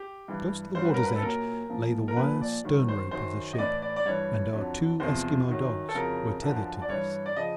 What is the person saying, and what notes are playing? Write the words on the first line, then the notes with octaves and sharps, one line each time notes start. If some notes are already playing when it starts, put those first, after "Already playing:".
Close to the water's edge lay the wire stern rope of the ship, and our two Esquimaux dogs were tethered to this.
Already playing: G4
G2 E3
G2 D3 F#3 C5
B4
A#4
B4
A4
A#2 F#3 A#4
A#2 F3
A#4
A#2 F3 B4
D5
G2 D#3 F#3
C5
F#2 D#3 F#3 C5
D#5
A2 E3 D5
D5
D5
G2 E3 C#5
F2 D3 F#3
E2 C3 F3 C5
F#2 D#3 F#3
A4
F2 C#3 F#3 A#4
F#2 D3 F3
D5
G2 E3 C#5
D5
C#3 F3 D#5